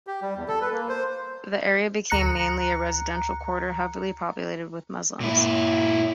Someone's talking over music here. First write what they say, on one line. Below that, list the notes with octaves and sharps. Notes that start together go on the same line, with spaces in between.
The area became mainly a residential quarter, heavily populated with Muslims.
G4
G3
E2
A4
B4
A#3
C5
D2 A#5 F#6 C#7
A#2 E4